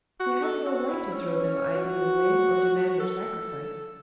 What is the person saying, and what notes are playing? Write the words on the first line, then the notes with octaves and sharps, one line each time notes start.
We have no right to throw them idly away, or demand their sacrifice.
F#4
A4
F#4
E4
C#4
C#4
F#4
A4